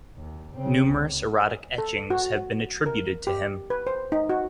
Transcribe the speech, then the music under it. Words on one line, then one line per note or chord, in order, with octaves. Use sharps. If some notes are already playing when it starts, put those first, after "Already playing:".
Numerous erotic etchings have been attributed to him.
D#2
C#3 C4
C#2
A4
F#4
A#4
G4
B4
C5
D#4
F#4